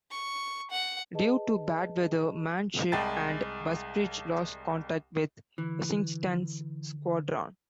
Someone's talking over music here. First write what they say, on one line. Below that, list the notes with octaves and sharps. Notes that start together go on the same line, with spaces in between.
Due to bad weather, "Manship" and "Busbridge" lost contact with Essington's squadron.
C#6
F#5
G#4 B4 D#5 A5
C2 G#3 G5 A5 B5 A6
D3 E3